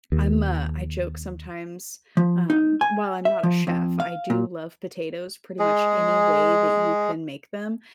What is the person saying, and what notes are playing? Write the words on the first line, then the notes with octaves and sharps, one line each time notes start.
I'm a I joke sometimes, um while I'm not a chef, I do love potatoes pretty much any way that you can make them.
D#2
F3
D#4
G#5
E5
F3
F2
F5
A#2
G#3 G#4